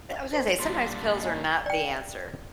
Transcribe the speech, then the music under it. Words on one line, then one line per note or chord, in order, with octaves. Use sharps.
I was gonna say, sometimes pills are not the answer.
A#4 C5
A#2 G3 D4 C6
D#5 G#5
D5 G5